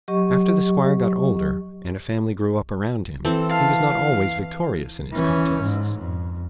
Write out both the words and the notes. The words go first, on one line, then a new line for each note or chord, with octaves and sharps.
After the squire got older, and a family grew up around him, he was not always victorious in his contests.
F#3 G4 D#5 C#6
E3 C4 A4
F5 A5
E3 C#4
G#2
F2